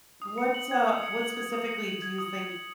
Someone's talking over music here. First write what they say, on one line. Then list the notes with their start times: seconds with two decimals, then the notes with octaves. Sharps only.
What, uh, what specifically do you think,
0.22 D#6
0.38 C#7
0.54 F#7
0.71 G#6
0.87 D#6
1.03 C#7
1.21 F#7
1.37 G#6
1.53 D#6
1.69 C#7
1.87 F#7
2.02 G#6
2.18 D#6
2.35 C#7
2.52 F#7